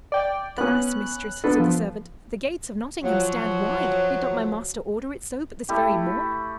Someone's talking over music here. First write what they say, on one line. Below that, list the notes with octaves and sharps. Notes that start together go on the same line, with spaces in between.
"Alas, mistress," said the servant, "the gates of Nottingham stand wide; did not my master order it so but this very morn?"
D5 G5
B3 C#4 F#6
B3 D4 A4 B4
F3
F3 F#3
A3 E4 G4